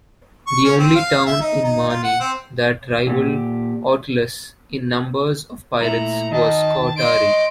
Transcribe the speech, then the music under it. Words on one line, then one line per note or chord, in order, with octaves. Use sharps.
The only town in Mani that rivaled Oitylos in numbers of pirates was Skoutari.
C#6
C#4
C4
F5
E5
D#4
D#4
F4
F#5
C4
A#2 G4
A#2 A3 E4 A#5
D#3 D#5 G5 A5
D#5 C6 D7